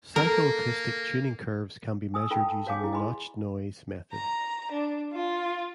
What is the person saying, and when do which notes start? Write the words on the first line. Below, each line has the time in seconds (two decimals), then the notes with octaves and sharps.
Psychoacoustic tuning curves can be measured using the notched-noise method.
0.16 A#3 A4 A#4 A#5
2.14 G#5 D#6 E6
2.31 F4 A4 G5 A5 B5
2.48 A5
2.66 F#4 C#5 F5 G#5 D6
2.80 E4 G#4
2.93 D#5 G#5 B5 C6
4.10 A#5
4.70 D4
5.12 F4